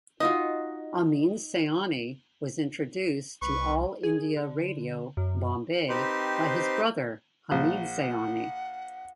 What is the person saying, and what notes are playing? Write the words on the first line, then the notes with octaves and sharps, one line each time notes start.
Ameen Sayani was introduced to All India Radio, Bombay, by his brother Hamid Sayani.
D#4 F4 F#4 D#5
C2 B4 C#6
G#4
D3
F#2
C4 D#4 G4 B4 C5 C6
A#1 F#5